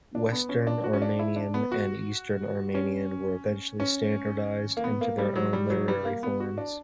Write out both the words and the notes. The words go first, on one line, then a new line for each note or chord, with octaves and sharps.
Western Armenian and Eastern Armenian were eventually standardized into their own literary forms.
D4
B3
C#4
D4
F#4
C#4
D4
E4
D4
B3
F#4
C#4
C#4
A#3
B3
A#3
G3
F#3
G3
F#3
G3
A#3
B3
F#4
D4